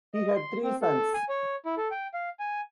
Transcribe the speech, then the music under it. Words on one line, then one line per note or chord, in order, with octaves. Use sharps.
He had three sons.
D#5
C6
C4
A4
G#5
C#5
E4
A4
G5
F5
G#5